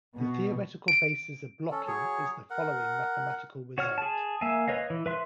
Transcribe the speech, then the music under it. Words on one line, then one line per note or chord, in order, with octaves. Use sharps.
The theoretical basis of blocking is the following mathematical result.
B2
D7
C#4 A4
F#3 G#4 C#5
A#4 F#5
F#4 C#5 F#5 F6
G#4 A5
A#3 E5 F5 G#5
B4 C#5 D#5 F5
E3
B4 E5 C6 F#6